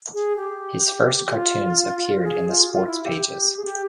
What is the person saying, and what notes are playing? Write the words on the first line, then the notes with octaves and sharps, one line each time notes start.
His first cartoons appeared in the sports pages.
G#4
G4
F4
G#4
F4
G4
F4
E4
G4
G4
G#4
G4